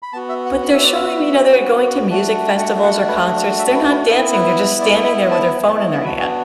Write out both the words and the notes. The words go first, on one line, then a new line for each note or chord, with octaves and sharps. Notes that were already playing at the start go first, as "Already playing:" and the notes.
But, they're showing me that they're going to music festivals or concerts, they're not dancing, they're just standing there with their phone in their hand.
B5
B3 F#4 A5
E5
F#5
F#5
E5
D5
E5
A3 D4 F#4
F#5
F#5
B4
E5
B4
B4
B3 E4
B4
B4
D5
B5
A5
F#5
A5
A5
F#5
B3 D4 F#4 B5
A5